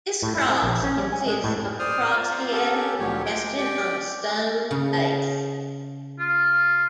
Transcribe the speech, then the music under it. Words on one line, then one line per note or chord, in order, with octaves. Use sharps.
This cross consists of a cross head resting on a stone base.
A2
E4
C4
A#1
C#4
G3
G#5
G#3
A2
C5 D5 D#6 F6
F4
B3 C#4 G4 A4 A#4
D2 A#2 F3 F#3 G4 C#5
G#3 G5
G4 D5 G5
C#3
F4